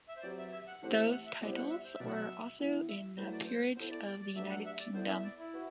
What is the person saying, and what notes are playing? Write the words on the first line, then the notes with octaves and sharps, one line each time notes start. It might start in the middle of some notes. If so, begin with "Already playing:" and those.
Those titles were also in the Peerage of the United Kingdom.
E5
C5
F#3 C4 G4 B4 D5
E5
E5
F#5
E3 A3 C4 G4 C5 F#5
E5
F#5
E5
G3 B3 E4 G4 C5
F#5
E5
C5
E5
B2 F#3 B3 D5
F#5
E5
E3 B3 E4
E5
F#3 A3 E4 B4 C5
D5
C5
B3 E4 A4 C5
D5
D5
D5
F#3 A3 D4 G4 B4 E5
F#5
E5
D5
B3 E4 A4 C5 D5
E5
D5
E4
F#4 B4